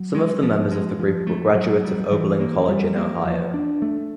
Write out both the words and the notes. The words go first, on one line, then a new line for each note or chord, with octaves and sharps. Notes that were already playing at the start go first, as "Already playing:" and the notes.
Some of the members of the group were graduates of Oberlin College in Ohio.
Already playing: F#3
G#3
F3
G#3
F3
A3
F#3
G3
E3
A#3
G3
A#3
F3
D4
A3